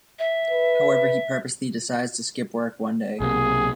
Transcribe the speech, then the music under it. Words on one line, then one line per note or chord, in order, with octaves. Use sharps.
However, he purposely decides to skip work one day.
E5
B4
B1 C3 A#3 G#4